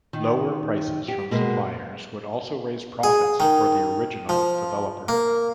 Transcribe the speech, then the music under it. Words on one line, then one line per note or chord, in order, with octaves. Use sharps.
Lower prices from suppliers would also raise profits for the original developer.
D#3
G4
B2 G#3 A#3
G#4
D#3
F3
A#3